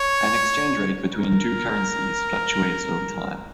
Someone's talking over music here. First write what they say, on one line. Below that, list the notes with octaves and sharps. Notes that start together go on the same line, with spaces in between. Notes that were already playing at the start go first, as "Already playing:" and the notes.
An exchange rate between two currencies fluctuates over time.
Already playing: C#5
A#4